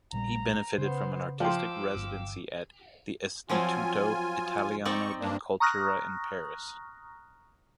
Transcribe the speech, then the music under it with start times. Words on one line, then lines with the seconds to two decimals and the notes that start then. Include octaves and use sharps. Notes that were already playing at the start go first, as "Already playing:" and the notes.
He benefited from an artistic residency at the Istituto Italiano di Cultura in Paris.
0.13 A#1 A#2 G3 A#5
0.78 C#3 B3 C5
1.40 F3 F5 G5 C6 D6 E6
1.96 G1
3.49 F3 F#3 C4 F4 G#5
4.85 C4 D#4 D5 C#6
5.20 G2 A#3 D4
5.60 A#5 C#6 D#6 F6 F#6 A#6